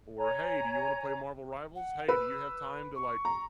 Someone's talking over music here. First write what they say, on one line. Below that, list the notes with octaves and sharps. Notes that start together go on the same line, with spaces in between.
Or, "Hey, do you wanna play Marvel Rivals? Hey, do you have time to, like,
C#5 G#5 A#5
F#5
B4 E6
C#6
A#5